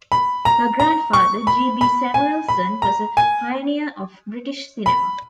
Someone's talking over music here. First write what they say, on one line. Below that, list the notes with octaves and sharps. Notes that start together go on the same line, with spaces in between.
Her grandfather, G. B. Samuelson, was a pioneer of British cinema.
B5
A#5
A#5
C#6
B5
B5
G#5
B5
A#5
G#5
B5